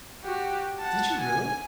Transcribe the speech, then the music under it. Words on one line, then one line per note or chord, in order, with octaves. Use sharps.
Did you really?
F#4 G4
F#5 A5
G#5